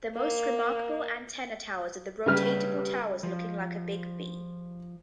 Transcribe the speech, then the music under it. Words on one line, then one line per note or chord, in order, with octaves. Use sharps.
The most remarkable antenna towers are the rotatable towers looking like a big "V".
A#3
C#3 G3 G4 B4 E5 F6
F3